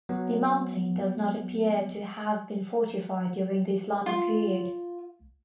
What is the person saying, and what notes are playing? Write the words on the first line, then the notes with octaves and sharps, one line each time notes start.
The mountain does not appear to have been fortified during the Islamic period.
F#3 B3
F4